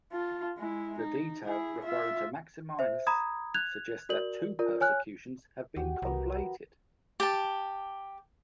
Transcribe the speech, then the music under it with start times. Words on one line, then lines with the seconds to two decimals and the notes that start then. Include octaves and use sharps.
The detail referring to Maximinus suggests that two persecutions have been conflated.
0.12 F4 A5
0.57 G#3 E4
0.98 D#4
1.45 E4 G#4
1.84 F4 E5
2.79 C5 E5
3.07 A#5 B5 D#6 G#6
3.54 F#6 G#6 F7
4.09 F#4 A#4 D5 F#7
4.59 F4 A#4 D5
4.81 C#5 G#5 F6 F#6
5.76 D#2 F#4 G4 G5
6.02 C2 B3 A#4 D#5
7.20 G4 A5